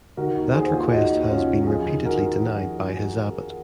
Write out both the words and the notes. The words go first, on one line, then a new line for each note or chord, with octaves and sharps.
That request had been repeatedly denied by his abbot.
D#3 F#4 A#4
D#2
D#2 G#4 C5
D#2 F4 G#4
D#2 D#4 F#4
D#2
C#3 C#4 F4
C#3
F2 F4 G#4
D#3
D#3 F#4 A#4